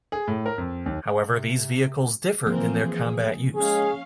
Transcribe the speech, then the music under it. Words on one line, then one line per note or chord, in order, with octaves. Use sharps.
However, these vehicles differed in their combat use.
G#4
A2
A#4
F2
D#2
C3
E3 F3 A#3 C4 A#4
G#4
G#3 C#4 G#4 F5